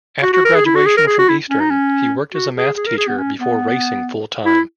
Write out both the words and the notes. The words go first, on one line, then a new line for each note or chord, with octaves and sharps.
After graduation from Eastern, he worked as a math teacher before racing full-time.
F#4
F#4
A#4
G#4
E4
F#4
G#4
A#4
G#4
F#4
E4
C#4
D#4
C#4
F#4
G#4
G#4
A#4
G#4
B3
C#4
B3
E4